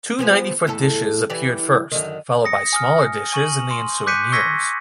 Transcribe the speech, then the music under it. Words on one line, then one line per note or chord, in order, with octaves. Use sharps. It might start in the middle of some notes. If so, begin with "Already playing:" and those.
Two ninety-foot dishes appeared first, followed by smaller dishes in the ensuing years.
F3 B3 G#4
E2 A2 A4
E3 G4 D5
F#2 D3 D#3
D#6 A#6 C#7
G#5 D#6 F6
G#5 C#6 D#7 F#7
C6
D6 F#6 G6 B6 C#7 D#7
C#6 E6 G#6 A#6 B6 C#7